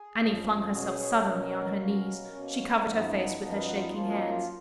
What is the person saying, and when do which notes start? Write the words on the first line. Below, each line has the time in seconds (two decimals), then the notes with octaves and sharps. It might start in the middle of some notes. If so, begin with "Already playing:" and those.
Annie flung herself suddenly on her knees; she covered her face with her shaking hands.
Already playing: G#4
0.16 F2 C#3 F3
0.70 B2 F#3 C#4
1.24 B2 F#3 C#4 A#4
1.78 B2 A#3 C#4
2.31 B2 A#3 C#4
2.86 F#2 F3 B3 D#4
3.39 F#2 F3 B3 D#4
3.52 A#4
3.58 B4
3.75 F4
3.94 F#2 F3 A#3 F4
4.12 D#4
4.29 F4